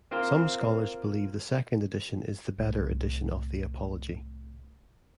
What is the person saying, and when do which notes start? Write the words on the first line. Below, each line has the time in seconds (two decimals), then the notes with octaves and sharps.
Some scholars believe the second edition is the better edition of the Apology.
0.11 A#3 C4 F4 A#4
2.58 C2 A2